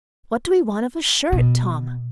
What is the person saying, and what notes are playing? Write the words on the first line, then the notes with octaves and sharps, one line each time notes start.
"What do we want of a shirt, Tom?"
B2